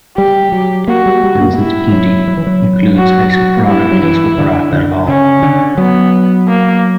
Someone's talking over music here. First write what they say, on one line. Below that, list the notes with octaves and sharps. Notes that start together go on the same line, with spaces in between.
Vincent d'Indy includes a soprano in his opera Fervaal.
G3 G4
F#3
A#3 F#4
G3
G3
A#3
A#3
G3 E4
F#3
F#3
E3
F#3
F#4
F#4
A#3
G3 E4
F#3
E3
D3
D3
C#3 C#4
D3
F#3 B3
A#3